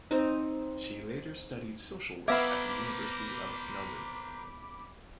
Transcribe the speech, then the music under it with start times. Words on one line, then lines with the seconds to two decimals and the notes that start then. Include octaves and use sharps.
She later studied social work at the University of Melbourne.
0.11 C4 D#4
2.28 B3 A#4 C5 E5 F5 B5 D6 G#6